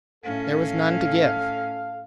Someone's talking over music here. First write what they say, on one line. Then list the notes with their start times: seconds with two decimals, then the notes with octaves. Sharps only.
There was none to give.
0.24 A2 C#4 A4 F5